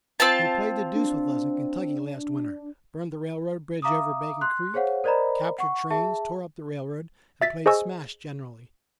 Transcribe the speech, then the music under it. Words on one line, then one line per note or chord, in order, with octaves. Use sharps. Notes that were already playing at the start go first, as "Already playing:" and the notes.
He played the deuce with us in Kentucky last winter: burned the railroad bridge over Bacon Creek, captured trains, tore up the railroad, and played smash generally.
C4 F4 A5
D4
E5 F5 A#5 D6 D#6
C6 F#6
G#4 C5 C#5 F5 F#5
A#4 C5 D5 D#5 A#5 B5
F#5 C#6
G#4 E5 A5
E5 A6 B6
G#4 C5 D#5 G#5 C#6 E6